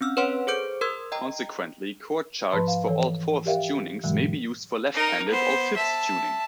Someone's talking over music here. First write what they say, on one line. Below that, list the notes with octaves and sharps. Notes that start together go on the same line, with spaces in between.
Consequently, chord charts for all-fourths tunings may be used for left-handed all-fifths tuning.
C4 C#4 E6 F6
B4 C#5 F#5 C6 F6 D7
G#4 A4 C5 D6 G6 D7
A#4 C6 E6 F6 G#6
D#5 G5 A#5
G#2 F3 B4 A5 B5 C6
F5
E3 A4 C#5
G4 A#4 D5 E5 F5 G5
G#2 B2 D3 E3 F#3 G#3
D#4 A#4
B3 C5
E5 A5